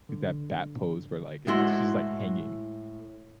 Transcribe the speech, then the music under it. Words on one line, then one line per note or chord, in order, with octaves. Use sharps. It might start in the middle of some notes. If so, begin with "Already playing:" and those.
do that bat pose where, like, it she's, like, hanging
D3
A2 G#3 E4 F#4 C6